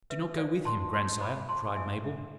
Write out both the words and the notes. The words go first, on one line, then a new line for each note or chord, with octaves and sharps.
"Do not go with him, grandsire," cried Mabel.
B4 E5
C5 D5 F5
F4 A5 C6
G#4 A5 C6
C5 B5 D6
F4 A5 C6
F4 E5 G#5
G#4 E5